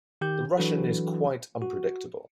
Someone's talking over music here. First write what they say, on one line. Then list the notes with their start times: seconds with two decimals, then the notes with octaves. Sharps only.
The Russian is quite unpredictable.
0.21 D#3 G4 G6
0.58 E3 F#3 D4 F#4 A4 B4
1.62 F#4